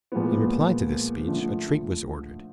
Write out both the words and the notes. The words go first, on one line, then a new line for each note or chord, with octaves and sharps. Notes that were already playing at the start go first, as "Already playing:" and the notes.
In reply to this speech a treat was ordered.
A#2 F3 G#3 B3
D3 F3 A3